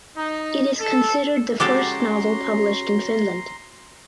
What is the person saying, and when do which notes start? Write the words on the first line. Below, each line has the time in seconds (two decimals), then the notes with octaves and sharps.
It is considered the first novel published in Finland.
0.16 D#4
0.81 A4
1.60 G#3 C#4 F#4 G4 A4 A#5 C6 D6